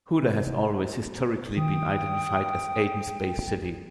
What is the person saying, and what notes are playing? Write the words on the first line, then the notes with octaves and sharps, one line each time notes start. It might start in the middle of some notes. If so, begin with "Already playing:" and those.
Houta has always historically been identified as Aden's base city.
C3
D#3 G5 D#6